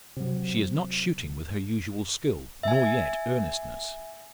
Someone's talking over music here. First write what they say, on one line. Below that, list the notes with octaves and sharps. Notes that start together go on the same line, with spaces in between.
She is not shooting with her usual skill, nor yet earnestness.
C3 F#3
E5 G#5